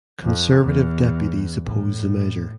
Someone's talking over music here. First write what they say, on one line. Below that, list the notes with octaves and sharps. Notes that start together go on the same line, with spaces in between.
Conservative deputies oppose the measure.
F2
E2
A2